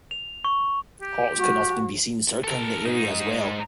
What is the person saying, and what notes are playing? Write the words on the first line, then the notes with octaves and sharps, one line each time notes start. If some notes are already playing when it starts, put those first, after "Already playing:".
Hawks can often be seen circling the area as well.
F7
C#6
G4
F#4
A4 A#4
G#2 D#4